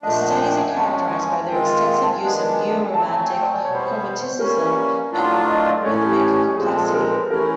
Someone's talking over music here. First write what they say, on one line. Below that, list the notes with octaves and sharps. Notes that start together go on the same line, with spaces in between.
The studies are characterized by their extensive use of neo-romantic chromaticism and rhythmic complexity.
A#2 F3 A3 D4 D#5
E5
F#5
G#5
G5
G#5
F3 G#3 C#4 A5
G#5
G#5
D#3 G#3 C4 F4 G5
F5
F5
F#5
A5
G#5
D#3 G#3 B3 D4
F#3 A3 C4 A5
G#5
G5
D5
D5
B2 G3 B3 C#5
C5
C#5
C5
G3 A#3 C#4 A#4
B4
A2 F#3 A3 D4 F4
D#5
D5
A2 E3 A3 C#4 C#5
G4
G4
A#2 F3 G#3 C4 G#4
A4
A#4
B4
E3 A3 C#4 E4 A#4